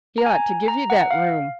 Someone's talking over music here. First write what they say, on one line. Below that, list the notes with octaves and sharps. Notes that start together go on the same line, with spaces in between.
He ought to give you that room.
A#5
G#5
A#5
F#5
F5